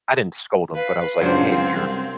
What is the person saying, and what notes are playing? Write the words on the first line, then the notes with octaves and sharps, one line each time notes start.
I didn't scold him, but I was like, "Hey, you're
B4 F5
C#2 F#2 C4 D4 C5
C2